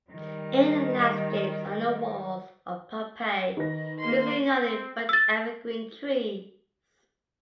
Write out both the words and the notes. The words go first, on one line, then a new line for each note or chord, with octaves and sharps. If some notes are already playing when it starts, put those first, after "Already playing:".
In the landscapes on the walls of Pompeii we see nothing but evergreen trees.
D#3 G3
D#3 B4 A#6
A#3 C6
C4
E6 A6